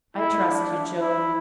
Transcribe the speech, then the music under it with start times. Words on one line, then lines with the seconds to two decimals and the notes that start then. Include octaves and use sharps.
'I trust you, Jo.
0.17 E4
0.48 D4
0.99 E4